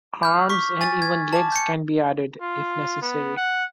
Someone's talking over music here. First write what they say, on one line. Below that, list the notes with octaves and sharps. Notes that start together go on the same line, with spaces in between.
Arms and even legs can be added if necessary.
F6 G6
C#6 D6 B6
G#5 A6
G#6
A5 D6
G6 C#7
F4
B3
F#5